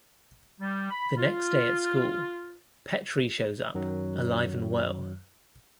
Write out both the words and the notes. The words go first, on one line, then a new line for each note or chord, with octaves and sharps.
The next day at school, Petrie shows up, alive and well.
G3
B5
F4
F#2 D#3 F#3